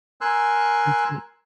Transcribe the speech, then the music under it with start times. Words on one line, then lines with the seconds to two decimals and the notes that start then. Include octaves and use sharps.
That's neat.
0.21 A#4 G#5 C6 E6 F#6